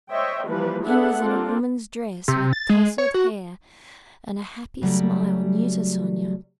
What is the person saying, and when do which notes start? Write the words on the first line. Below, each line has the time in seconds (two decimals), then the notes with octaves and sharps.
He was in a woman's dress, with tousled hair and a happy smile new to Sonya.
0.11 C5 C#5 D#5 E5 G5
0.47 E3 F3 G3 A#3 B4
0.83 B3 D4 G#4 A4 E5 F#5
1.21 A#3 C4 D4 F4 A4
2.28 C3
2.53 A6
2.69 G#3
2.98 C#5
3.14 F#4
4.82 C#3 F#3 G3 A3